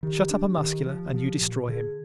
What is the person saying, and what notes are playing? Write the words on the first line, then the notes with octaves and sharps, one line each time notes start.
Shut up a Muscular and you destroy him.
D#3 G4
D4
D#3
F3
F3
A#2
D3 G#4